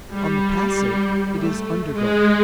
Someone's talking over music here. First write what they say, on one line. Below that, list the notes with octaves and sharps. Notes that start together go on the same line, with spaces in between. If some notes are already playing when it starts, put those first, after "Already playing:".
On the passive, it is undergoing.
G3
A3
G#3